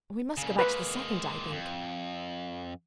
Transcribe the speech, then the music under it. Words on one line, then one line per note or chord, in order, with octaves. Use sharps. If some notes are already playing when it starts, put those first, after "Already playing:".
'We must go back to the second, I think.
A#2 C#3
G#3 A#3 B4
F2